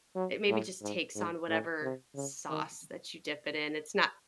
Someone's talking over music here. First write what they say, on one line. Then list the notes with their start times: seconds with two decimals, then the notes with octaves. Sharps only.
It maybe just takes on whatever sauce that you dip it in. It's not
0.16 F#3
0.50 A2
0.82 G#2
1.15 G#2
1.49 A2
1.82 C3
2.15 C#3
2.49 D#3